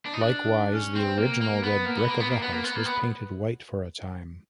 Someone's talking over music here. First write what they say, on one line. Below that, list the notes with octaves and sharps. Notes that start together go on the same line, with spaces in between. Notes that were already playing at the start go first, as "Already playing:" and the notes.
Likewise, the original red brick of the house was painted white for a time.
D4
D#4
D4
C#4
C4
A#3
A#3
B3
A#3
B3
A#3
B3
A#3
B3
A#3
B3
A#3
B3